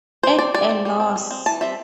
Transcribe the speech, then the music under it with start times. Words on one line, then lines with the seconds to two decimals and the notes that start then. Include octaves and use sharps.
At a loss.
0.23 G3 C5
0.39 C4 D5
0.54 G3 D5
0.69 C4
0.85 G3
1.00 C4
1.16 G3
1.31 C4
1.46 E3 A5
1.61 G3 C4 E5